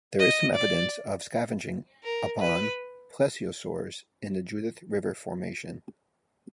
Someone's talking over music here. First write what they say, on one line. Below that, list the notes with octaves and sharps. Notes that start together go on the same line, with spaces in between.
There is some evidence of scavenging upon Plesiosaurs in the Judith River Formation.
D#5
D5
A#4
B4